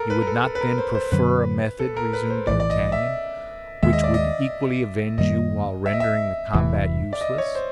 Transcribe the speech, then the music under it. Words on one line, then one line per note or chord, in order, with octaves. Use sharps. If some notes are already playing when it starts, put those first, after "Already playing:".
"You would not, then, prefer a method," resumed d'Artagnan, "which would equally avenge you while rendering the combat useless?"
Already playing: A4 A#4
B4
A#4
A4
A4
B4
A#4
C5
C5
F#2 D3 F#3 B4
A4
A#4
B4
C5
A#1 A2 E3 D5
D5
D#5
E5
D#2 D#3 G#3 E5
D#5
D5
D#5
F#2 D#3 G3 A#3 D#5
E5
D#5
E5
E1 E2 C3 E3
D5
D#5
C#5
C5